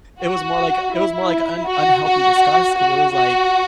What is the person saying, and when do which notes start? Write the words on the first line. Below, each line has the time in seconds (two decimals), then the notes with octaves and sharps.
it was more like it was more like an unhealthy disgust 'cause it was like
0.20 F#4
0.94 E4
1.67 F#4
2.04 F#4
2.77 F#4
3.13 F#4